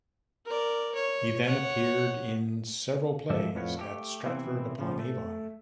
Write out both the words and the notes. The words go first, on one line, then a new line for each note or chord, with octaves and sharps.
He then appeared in several plays at Stratford-upon-Avon.
A#4 D5
C#5
C#5 F#5
G#2 F3 G4 A4 E5
F2 A2 F4 B4 C#5 F#5
A3 D4 G4
C3 E3 B3 C4 E4
C#3 F3
A3